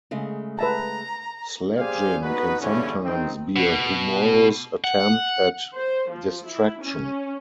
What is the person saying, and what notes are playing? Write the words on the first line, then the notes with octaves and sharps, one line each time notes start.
Sledging can sometimes be a humorous attempt at distraction.
C#3 G#3 A3
B4 E5 A5 A#5
G4 G#4 C5 D5 F5 G#5
B3 D#4 F#4 B4
E2 G2 D3 E3 C#4
D#3 C4 D#4
B2
F#5
C5
F3
E4
C#4